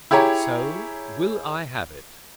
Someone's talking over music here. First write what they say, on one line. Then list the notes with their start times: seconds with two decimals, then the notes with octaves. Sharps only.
So will I have it.
0.11 E4 G4 G#4 C#5 A#5